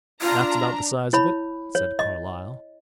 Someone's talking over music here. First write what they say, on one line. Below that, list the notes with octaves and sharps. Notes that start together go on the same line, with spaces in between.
"That's about the size of it," said Carlyle.
D4 F4 A#5
E4 C#5 B5
C#5
D#5